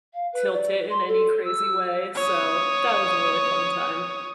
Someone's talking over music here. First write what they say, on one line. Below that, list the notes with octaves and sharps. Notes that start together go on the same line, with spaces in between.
tilt it in any crazy way, so, that was a really fun time.
F5
B4
D5
C6
A4
E6
C#5 D#6